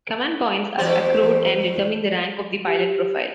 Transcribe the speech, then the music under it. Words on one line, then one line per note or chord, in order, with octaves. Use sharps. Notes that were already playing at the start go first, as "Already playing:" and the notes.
Command points are accrued and determine the rank of the pilot profile.
E2 G4 C5
G4